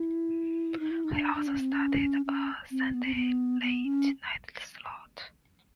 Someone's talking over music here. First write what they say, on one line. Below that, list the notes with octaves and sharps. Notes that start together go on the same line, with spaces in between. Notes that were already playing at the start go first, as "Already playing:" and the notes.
He also started a Sunday late night slot.
Already playing: E4
D#4
E4
D#4
D4
D4
C#4
C4
C#4
C#4
C4
B3
C4
B3
B3
C#4